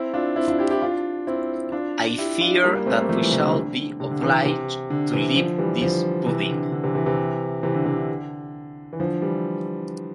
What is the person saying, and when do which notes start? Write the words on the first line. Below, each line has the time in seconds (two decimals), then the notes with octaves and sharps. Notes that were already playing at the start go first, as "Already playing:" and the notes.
I fear that we shall be obliged to leave this pudding.
Already playing: C4 E4
0.14 D4 F4
0.36 C4 E4
0.48 D4 F4
0.59 E4 G4
0.71 E4 G4
0.82 D4 F4
1.27 C4 E4
1.72 D4 F4
2.18 E4 G4
2.41 D4 F4
2.64 G3 A#3
2.75 G3 A#3
2.86 A3 C4
2.97 G3 A#3
3.09 F3 A3
3.20 E3 G3
3.32 C3
3.44 D3
3.54 D3
4.00 C3
4.11 D3
4.22 C3 E3
4.33 D3
4.45 C3
4.90 D3
5.13 C3 E3
5.36 D3 F3
5.58 E3 G3
5.82 D3 F3
6.26 C3 E3
6.50 D3
6.72 D3
6.84 C3 E3
6.95 C3 E3
7.06 C3 E3
7.63 C3 E3
7.74 D3
7.86 C3
7.97 D3
8.93 E3
9.00 D3 F3
9.22 E3 G3